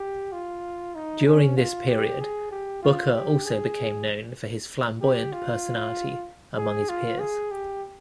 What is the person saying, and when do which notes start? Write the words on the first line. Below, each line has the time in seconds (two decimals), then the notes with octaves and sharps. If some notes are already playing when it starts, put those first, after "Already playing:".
During this period, Booker also became known for his flamboyant personality among his peers.
Already playing: G4
0.32 F4
0.95 D#4
1.26 C#4
1.57 F4
1.88 G4
2.21 G#4
2.51 G4
2.82 F4
3.14 G4
3.45 G#4
5.01 G4
5.33 F4
6.57 G#4
6.89 F4
7.20 G#4
7.51 G4